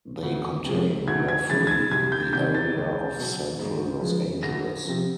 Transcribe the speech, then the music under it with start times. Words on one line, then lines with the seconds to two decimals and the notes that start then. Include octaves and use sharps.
They contain, roughly, the area of central Los Angeles.
0.23 D2
0.65 C3 F3 G#3
1.08 D2 G#6
1.28 G#6
1.50 C#3 E3 G#3 A6
1.67 G#6
1.71 A6
1.91 C2 G#6
2.12 G6
2.33 C3 D#3 G6
2.54 A6
2.76 C#2
3.17 B2 F#3
3.59 G#2
4.01 F3 G#3
4.43 D2 A#6
4.85 C3 F3